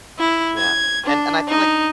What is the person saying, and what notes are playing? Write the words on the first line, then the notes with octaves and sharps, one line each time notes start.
yeah, and and I feel like
E4
G#6
D4
D#4